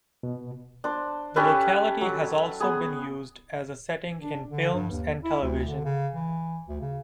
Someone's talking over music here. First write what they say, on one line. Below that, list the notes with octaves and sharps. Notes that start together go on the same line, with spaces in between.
The locality has also been used as a setting in films and television.
B2
D4 C5
C#4 G4 A4 B4
F#3
B3 G#4
D4
D3
G2
D#2
E4
D2
D3
C#3
E3
D2
C#3